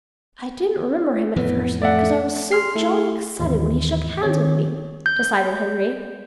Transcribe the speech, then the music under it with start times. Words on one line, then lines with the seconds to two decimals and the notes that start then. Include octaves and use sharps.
"I didn't remember him at first, because I was so jolly excited when he shook hands with me," decided Henry.
1.36 F2 A2 E3 B3
1.82 A3 D5 E5 F#5
2.52 C6 F6 C7
2.75 A3 E4 A4
3.40 D#2 G#2 E3
4.23 D#3 C4 C#5
5.06 G6